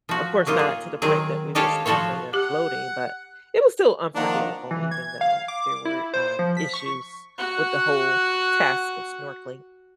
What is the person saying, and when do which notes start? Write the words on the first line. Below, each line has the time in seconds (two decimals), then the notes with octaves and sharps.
Of course, not to the point that we were snorkeling and floating, but it was still unforgettable even though there were, um, issues with the whole task of snorkeling.
0.09 F3 F#4
0.46 F#3 A#3 D#4 F4
0.59 G#4
1.02 D#3 F#3 C4 G#4
1.55 G#3 D#4 G4 A4 C#5 F5
1.86 F3 F#4 A4 C5 C#5
2.33 G4 F#5 D6
4.15 D#3 F3 A#3 D4 F#5 A#5
4.71 E3
4.91 G#6
5.21 F5
5.48 D6
5.85 E4
6.14 C5
6.39 F3
6.57 B6
6.74 C#6
7.38 F#4 F#5